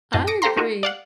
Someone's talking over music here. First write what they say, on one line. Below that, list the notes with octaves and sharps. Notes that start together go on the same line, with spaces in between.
I agree.
F#2 A2 D#5 A5 C6 F#6
D6 D#6 A#6 C#7 D7
G4 A4 C5 F5 A#5 C6
A3 D#4 F4 F#4
D5 F5 F#5